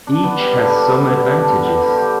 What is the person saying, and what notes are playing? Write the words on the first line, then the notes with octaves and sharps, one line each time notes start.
Each has some advantages.
D4
B3
G3
D3
D4
B3
G3
D3
D4
B3
G3
D3
G4